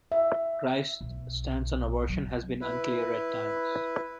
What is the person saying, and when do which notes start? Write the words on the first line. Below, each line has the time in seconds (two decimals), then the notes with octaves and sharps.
Crist's stance on abortion has been unclear at times.
0.12 E5
1.01 B1
2.09 F#3
2.61 E4 B4